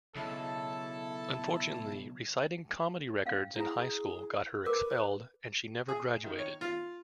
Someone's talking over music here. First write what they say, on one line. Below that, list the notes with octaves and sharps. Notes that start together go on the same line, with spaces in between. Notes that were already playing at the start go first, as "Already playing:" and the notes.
Unfortunately, reciting comedy records in high school got her expelled and she never graduated.
B1 C#3 E4 A4 A5
C#4 F5
E4 G#4 A#5
A#4 B4 D6
G#4
D#3
C#5
F4